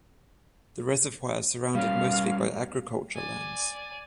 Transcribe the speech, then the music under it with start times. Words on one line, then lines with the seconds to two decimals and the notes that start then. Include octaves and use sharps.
The reservoir is surrounded mostly by agriculture lands.
1.75 G3 C#4 F5
3.16 D5 G#5